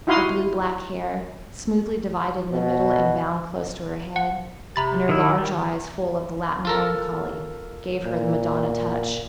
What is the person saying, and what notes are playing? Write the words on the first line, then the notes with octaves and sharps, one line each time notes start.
Her blue-black hair, smoothly divided in the middle and bound close to her head, and her large eyes full of the Latin melancholy, gave her the Madonna touch.
D#4 E4 F#4 F5 C6 D#6
B2
F#5
C3 A#5 B5 A6
D#3 E4
D#3 G3
F4 A4 A#4
A#2